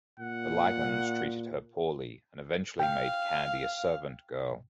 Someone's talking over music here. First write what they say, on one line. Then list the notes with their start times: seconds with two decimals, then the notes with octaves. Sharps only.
The Lagans treated her poorly and eventually made Candy a servant girl.
0.20 A#2 F#5
2.80 F5 G5